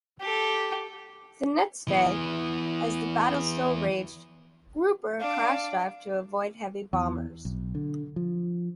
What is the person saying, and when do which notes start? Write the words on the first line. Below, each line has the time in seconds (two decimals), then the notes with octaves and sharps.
The next day, as the battle still raged, "Grouper" crash-dived to avoid heavy bombers.
0.21 G4 A4
1.88 E3 B3
5.20 D4 D5 F5
6.93 E2
7.45 B1
7.75 D3
8.16 F3